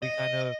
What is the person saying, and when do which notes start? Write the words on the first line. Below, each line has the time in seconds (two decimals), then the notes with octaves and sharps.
we kind of
0.02 D#5